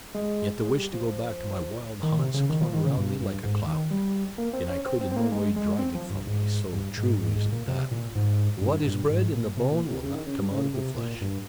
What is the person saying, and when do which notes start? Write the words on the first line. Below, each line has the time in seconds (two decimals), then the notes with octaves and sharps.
Yet the wish to go back to my wild haunts clung round me like a cloud, and I could in no way drive it from me, so true is it that "what is bred in the bone will not come out of the flesh."
0.15 G#3
0.61 G#3
0.76 G3
0.93 F3
2.03 D#3
2.19 C3
2.34 C#3
2.49 D#3
2.62 F3
2.73 D#3
2.84 C#3
2.97 G2
3.21 G2
3.44 G#2
3.67 D#3
3.91 G3
4.38 A#3
4.53 C4
4.70 C#4
4.85 C4
5.01 C4
5.12 C4
5.16 A#3
5.32 G#3
5.56 G#3
5.79 C4
5.95 F3
6.10 G2
6.27 G#2
6.73 G2
6.97 G#2
7.21 G#2
7.36 G#2
7.52 A#2
7.68 C3
7.91 A#2
8.15 G#2
8.62 G2
8.86 G2
9.10 G#2
9.33 A#2
9.57 C3
9.71 A#2
9.88 C3
10.03 C#3
10.15 D#3
10.27 C#3
10.39 G2
10.51 C#3
10.74 C3
10.98 A#2
11.21 G2